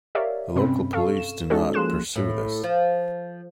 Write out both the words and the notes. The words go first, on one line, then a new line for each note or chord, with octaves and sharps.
The local police do not pursue this.
G4 A#4 C#5 D5 E5 F5
G2 C3 C4 C#4 B5
A4 F5 C#6
E7
G#3 C#4 D#4 F#4 A4 C#5
F3 A#3 G#4 C6 F#6 E7
A2
F3